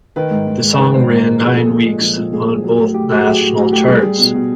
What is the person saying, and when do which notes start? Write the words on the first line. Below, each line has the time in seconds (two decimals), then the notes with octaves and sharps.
The song ran nine weeks on both national charts.
0.16 D#3 B4
0.31 G#2
0.47 G#2
0.62 G#3
0.77 D#3 B4
0.93 G#2 C5
1.09 G#2 A#4
1.24 G#3
1.40 F3 G#4
1.55 A#2 A4
1.66 G#4
1.71 A#2 A4
1.86 G#3
2.01 F3
2.18 A#2
2.33 A#2 G#4
2.49 G#3
2.64 F#3
2.80 A2
2.94 A2 G4
3.10 A3 F#4
3.20 G#4
3.25 F#3 G4
3.41 A2 F#4
3.57 A2 F#4
3.72 A3 G4
3.88 G3 G#4
4.03 G3
4.19 B2
4.34 B2